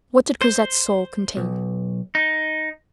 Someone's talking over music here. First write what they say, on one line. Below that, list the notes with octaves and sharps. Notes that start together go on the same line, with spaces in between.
What did Cosette's soul contain?
C5
B1
D#4